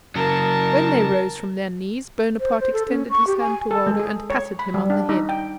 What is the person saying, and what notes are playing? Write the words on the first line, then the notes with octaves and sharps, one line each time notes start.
When they rose from their knees Bonaparte extended his hand to Waldo, and patted him on the head.
C#3 F#3 A#4 A5
C5
C5
A4
C#4
C#6
G4
G#5
A4
G#3
G#4
C#5
B5
G3
D4
D#4
G5